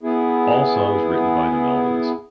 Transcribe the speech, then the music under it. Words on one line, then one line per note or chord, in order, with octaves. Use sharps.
All songs written by The Melvins.
B3 E4 G#4